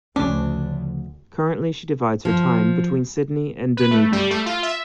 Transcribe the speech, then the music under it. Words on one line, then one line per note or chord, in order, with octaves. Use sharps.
Currently she divides her time between Sydney and Dunedin.
D2 C#3 F3 A3 C#4 D4
F3
B4
A3
G3
A3
F4
E5